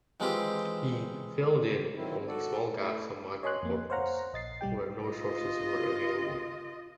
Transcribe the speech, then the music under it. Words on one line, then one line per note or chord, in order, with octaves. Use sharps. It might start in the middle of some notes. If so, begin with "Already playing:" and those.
He "filled in" only small gaps of minor importance, where no sources were available.
D#3 E3 G#3 C4 F4 G4
D#3 F#3 C4 E4
F#4 A4 D5
A3 E4
C#5 D#5 G#5 C6 F#6
F2 A#3
C5 C#5 F5 F#5 A#5
A#1 D#5 A6 C7
B1 G3 G4 G5
F4 D#5